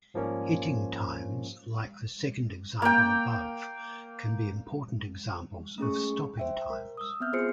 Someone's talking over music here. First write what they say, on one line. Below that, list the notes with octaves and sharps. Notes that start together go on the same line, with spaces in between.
Hitting times like the second example above can be important examples of stopping times.
G#2 F3 G3 A#3 C#4
A#3 G5
A3 C#4 G#4 C#6
C5 E5 G5
A#4
D#6 E6
B3 C4 E5 F6 G6
B3 F4 G#4 C5 C7 C#7